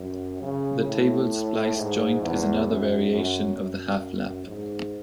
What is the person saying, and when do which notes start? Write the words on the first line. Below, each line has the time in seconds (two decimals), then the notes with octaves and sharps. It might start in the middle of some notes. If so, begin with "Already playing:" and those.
The tabled splice joint is another variation of the half lap.
Already playing: F#2
0.42 C#3
0.88 A2
1.77 G#2
2.22 E2
2.67 F#2
3.12 F#2
3.57 F#2
4.47 G#2